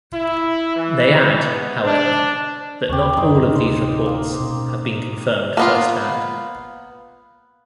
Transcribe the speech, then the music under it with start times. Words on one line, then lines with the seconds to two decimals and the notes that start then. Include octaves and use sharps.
They add however that not all of these reports have been confirmed first hand.
0.12 E4
0.76 E3
1.45 B3
1.84 D4
2.89 D#2 G4 C#6
3.17 F#2 D#3 D#4 C5
3.55 D1 C3 C6
4.06 A#3 C5
4.40 B2 C#4
5.57 A#3 B3 F4